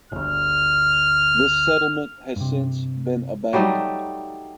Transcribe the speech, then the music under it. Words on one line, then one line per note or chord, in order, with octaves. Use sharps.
This settlement has since been abandoned.
G1 D2 F6
G2 C3
F#3 G3 A3 D#4